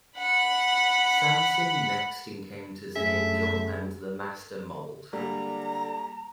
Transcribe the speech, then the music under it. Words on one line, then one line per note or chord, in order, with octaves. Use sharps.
Samson next encounters Angel and the Master Mold.
F#5 B5
F#2 A3 C#4 G#4 E5
D3 G3 G#3 A#3 A#5